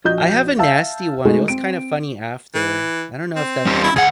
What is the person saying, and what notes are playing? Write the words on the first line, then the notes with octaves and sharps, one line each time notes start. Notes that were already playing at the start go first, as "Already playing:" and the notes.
I have a nasty one, it was kind of funny after. I don't know if that
A#1 F#4 D#5 G6
E5 F5 A5 E6
G#3 A3 D#4 F#4 G#4
C4 D7
E3
C4
G3 C#4
E4
C#2 G#4 F#5